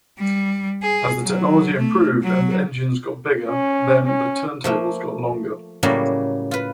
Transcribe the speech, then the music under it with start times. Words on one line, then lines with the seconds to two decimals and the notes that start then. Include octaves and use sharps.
As the technology improved and engines got bigger, then the turntables got longer.
0.18 G3
0.82 G#4
1.22 F#3
1.77 A3
2.23 F#3
3.48 C#4
4.06 C#4
4.64 F3 A3 A#3
5.83 A2 C#3 F#3 G3 A#3
6.51 F4 B4